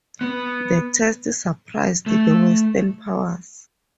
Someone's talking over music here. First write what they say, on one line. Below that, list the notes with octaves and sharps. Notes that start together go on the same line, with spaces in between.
The test surprised the Western powers.
B3
A3